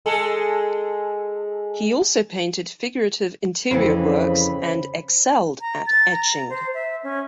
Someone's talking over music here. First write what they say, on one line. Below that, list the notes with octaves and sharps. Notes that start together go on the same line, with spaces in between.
He also painted figurative interior works and excelled at etching.
G#3 G#4 A4
F2 C#3 E3 C4 C5 B5
A#5
A6
A#5
C5
E5
C#4